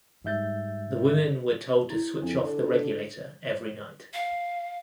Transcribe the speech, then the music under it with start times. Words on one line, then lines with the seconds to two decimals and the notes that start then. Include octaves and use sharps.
The women were told to switch off the regulator every night.
0.25 G#2 G3 E5 G6 A6
1.90 E4
2.22 F2 D4
2.43 D3
4.13 F5